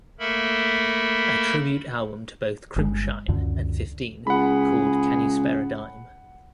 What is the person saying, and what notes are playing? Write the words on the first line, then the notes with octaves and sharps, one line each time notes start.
A tribute album to both Crimpshrine and Fifteen, called Can You Spare a Dime?
A3 A#3 A4 A#4 E5 B5
G1 A#2 G#3
C#2 F#2 D3
C#2 G#4 F#5 B5